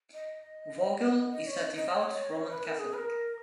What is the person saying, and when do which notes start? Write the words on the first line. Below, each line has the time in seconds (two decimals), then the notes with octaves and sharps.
Vogel is a devout Roman Catholic.
0.14 D#5
1.32 D#5
1.47 C#5
1.62 D#5
1.76 D#5
1.91 C#5
2.49 B4
2.65 A#4
2.79 G#4
2.93 B4
2.98 A#4